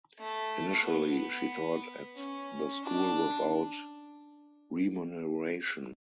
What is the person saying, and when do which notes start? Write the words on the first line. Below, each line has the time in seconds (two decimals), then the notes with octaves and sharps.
Initially she taught at the school without remuneration.
0.19 A3
0.84 B3
2.16 C#4
2.82 D4